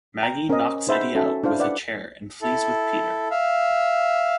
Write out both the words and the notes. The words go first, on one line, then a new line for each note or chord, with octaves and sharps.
Maggie knocks Eddie out with a chair and flees with Peter.
G5 A#5
C#4 A#4 C5 C#5 D#5
D#4 G#4 C5 E5 F#5 B5
C#4 F#4 A4 E5
D4 E4 C5 F5
B4 D5 E5 F#5
E4 A4
E5 F5